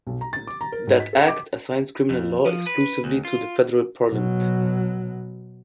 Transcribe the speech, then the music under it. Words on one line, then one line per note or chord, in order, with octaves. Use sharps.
That Act assigns criminal law exclusively to the federal Parliament.
B1
A#5
A6
D6
A#5
A#4
G#2
B6
A4
D6
F2
F3
B4
D2
F4
B2 F#3